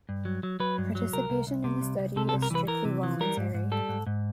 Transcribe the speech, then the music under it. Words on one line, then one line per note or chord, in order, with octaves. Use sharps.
Participation in the study is strictly voluntary.
G2
F#3
F#3
F#3 B4
G2
F#3
C2 A#4
C2
C2
C3
C2
C2
C3 A4
A4
C2
A#4
E3 B4
E3 A#4
C3
E3
G3 A#4
G#2
G#2
G3 A4
G#2
G#2